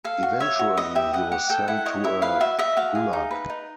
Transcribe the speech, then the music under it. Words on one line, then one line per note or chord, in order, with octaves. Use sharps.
Eventually he was sent to a gulag.
A4 F5
F#4
C#5 E5
F#4
B4 D#5
G4 E5
D#5 F#5
G4 F#5
A4 G5
E4 F#5
C#5 D#5
E4 E5
B4 F5
F#4 E5
D#5 E5
F#4 F5
G#4
D#4
B4
D#4